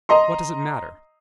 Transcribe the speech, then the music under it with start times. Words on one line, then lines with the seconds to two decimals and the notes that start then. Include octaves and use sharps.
What does it matter?
0.09 D#5 A#5 C6